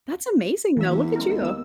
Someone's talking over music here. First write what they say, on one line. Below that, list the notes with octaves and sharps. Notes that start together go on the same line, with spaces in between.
That's amazing, though. Look at you.
F1 E3 A#3 E5
E2
G#3 C#4 A#4
D#2
B3 E6